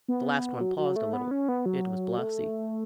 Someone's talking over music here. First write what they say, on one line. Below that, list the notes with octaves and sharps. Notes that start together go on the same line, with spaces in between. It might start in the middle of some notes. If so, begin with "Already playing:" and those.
The last one paused a little; it was Blasi.
B3
F#3
F#3
A3
B3
C#4
B3
F#3
A3